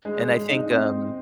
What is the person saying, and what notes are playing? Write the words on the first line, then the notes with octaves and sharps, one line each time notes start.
And I think, um
G#3
G#3
D#4
C4